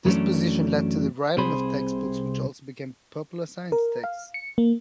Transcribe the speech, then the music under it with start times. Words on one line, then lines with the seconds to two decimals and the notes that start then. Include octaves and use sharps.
This position led to the writing of textbooks which also became popular science texts.
0.05 F#2 E3 F#3 A3 C#4 D4
1.38 C2 C3 G#4 C5 B5
3.72 A#4
4.04 F5
4.34 C#7
4.58 A#3